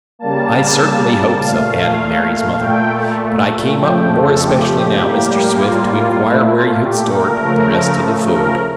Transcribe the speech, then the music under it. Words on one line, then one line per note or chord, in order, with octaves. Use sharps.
"I certainly hope so," added Mary's mother, "But I came up more especially now, Mr. Swift, to inquire where you had stored the rest of the food."
C#3 G3 A#3 A5
A#2 A3 F5
A#2 A3 G5
F2 C#3 F3 A3 G5
A4
G4
A2 G3 A#3
F4
F4
A#2 A3 E4
F4
G4
A#4
C#3 F3 A3
A#4